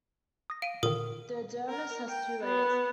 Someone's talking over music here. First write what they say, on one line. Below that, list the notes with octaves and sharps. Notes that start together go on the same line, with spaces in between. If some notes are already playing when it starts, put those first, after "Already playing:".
The dermis has two layers.
D#6 A#6
F5 D7 D#7
A#2 D3 D#3 A#4 D#6
A#4
G5
B3